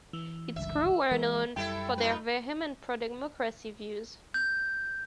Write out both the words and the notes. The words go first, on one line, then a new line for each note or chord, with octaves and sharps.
Its crew were known for their vehement pro-democracy views.
E3
G1 C#2 G2 E5
E3 G#3 A#4
F#2 G3 E4 A4 E5 G5
D#4 F4 B4
G6